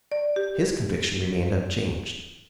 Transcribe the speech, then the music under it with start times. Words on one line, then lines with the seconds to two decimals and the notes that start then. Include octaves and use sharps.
His conviction remained unchanged.
0.12 D5
0.36 G4